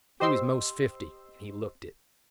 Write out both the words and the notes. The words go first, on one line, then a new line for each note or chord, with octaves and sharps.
He was most fifty, and he looked it.
G4 C5 D#5 C6 E6